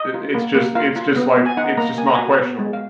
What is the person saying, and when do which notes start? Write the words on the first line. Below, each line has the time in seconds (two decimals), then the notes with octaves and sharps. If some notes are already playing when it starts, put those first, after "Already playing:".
i it's just it's just like it's just not questionable.
Already playing: D#5
0.14 F4
0.35 A#3
0.55 A#3
0.75 F4 F5
0.96 F4
1.16 B3
1.37 B3
1.46 G#5
1.57 D#4 F#5
1.77 A#3 A#5
1.98 A#3 G#5
2.07 A#5
2.15 F#4 G#5
2.39 B3
2.59 G#3
2.73 F5